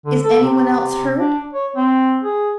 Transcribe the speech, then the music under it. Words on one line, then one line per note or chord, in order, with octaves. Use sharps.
Is any one else hurt?
D3
A4
C3
D4
C#5
C4
G#4